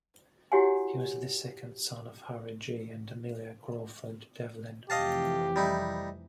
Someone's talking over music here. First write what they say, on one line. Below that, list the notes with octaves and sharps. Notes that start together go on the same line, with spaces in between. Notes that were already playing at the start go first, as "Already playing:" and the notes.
He was the second son of Harry G. and Amelia Crawford Devlin.
E4 F#4 G4 C#5 F#5 G#5
F1 F2 E3 G4 D#5 F5 A5
G3 D#4 E4